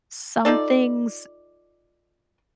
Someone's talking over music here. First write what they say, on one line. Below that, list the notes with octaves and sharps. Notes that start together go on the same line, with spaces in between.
some things
D#4 F4 A4 D5